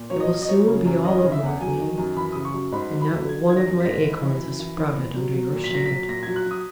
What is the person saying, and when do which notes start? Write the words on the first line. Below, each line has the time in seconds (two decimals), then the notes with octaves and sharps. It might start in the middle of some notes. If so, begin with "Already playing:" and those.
It will soon be all over with me, and not one of my acorns has sprouted under your shade.
Already playing: A#2
0.10 F#3 C#5
0.20 D#5
0.30 F#3
0.42 D#5
0.49 F#3 C#5
0.68 C#3
0.86 F#2
1.04 E3 D#5
1.18 D#5
1.23 C#3
1.32 E5
1.42 E2 F#5
1.61 F#3 G#5
1.80 D#3
1.98 F#2
2.16 E3 B5
2.32 C#3 D#6
2.45 C#6
2.54 F#2
2.72 G#2 B5
2.91 F#3
3.01 B5
3.10 F#3
3.29 F#3 G#6
3.47 D#3 G#6
3.57 A#6
3.66 F#2
3.80 B6
3.84 G#2 A#6
4.04 E3
4.22 E3
4.40 F#2
4.59 E3
4.78 E3
4.97 A#2
5.15 F#3
5.34 F#3
5.53 A#2
5.64 B6
5.71 F#3 A#6
5.86 F#3 B6
6.09 A#2 A#6
6.23 F#3 G#6
6.36 F#6
6.46 F#3 D#6